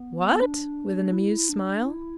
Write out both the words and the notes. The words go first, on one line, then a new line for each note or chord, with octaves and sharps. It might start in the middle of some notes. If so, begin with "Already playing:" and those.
"What?" with an amused smile.
Already playing: B3
B3
D4
E4
D4
E4